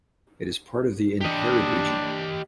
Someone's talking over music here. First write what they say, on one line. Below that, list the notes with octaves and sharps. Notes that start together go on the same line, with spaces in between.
It is part of the Innherred region.
D4 G4 D#5